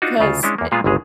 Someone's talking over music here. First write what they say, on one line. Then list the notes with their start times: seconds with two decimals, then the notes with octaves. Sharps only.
'cause, eh,
0.02 D4 D#4 F4 F#4
0.19 D2 C#3 F4 A4
0.43 G#3 C#4 D4 E4
0.58 E2 A#3
0.72 A#2 G#3 B3 F4 G#4
0.84 G1 C#2 C#3 G#3 G#4